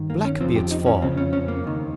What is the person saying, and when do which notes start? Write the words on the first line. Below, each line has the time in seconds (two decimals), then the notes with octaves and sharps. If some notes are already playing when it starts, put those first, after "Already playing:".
Black be its fall!
Already playing: G2 D#3
0.10 A#3
0.25 C#4
0.41 F2 C#3 F3 C4
0.56 G4
0.71 D#4
0.86 C#4
1.02 F2 C#3 F3 C4
1.17 C#4
1.33 C#4
1.48 A#3
1.64 D#2 D#3